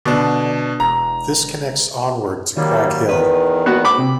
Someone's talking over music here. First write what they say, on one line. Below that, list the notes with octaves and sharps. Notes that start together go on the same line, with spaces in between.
This connects onward to Crag Hill.
B2 D3 D4
E1 A#5
D#3 F#3 G3 A#3
E2 D#3 B4
B3 F#4
B5 D6
C3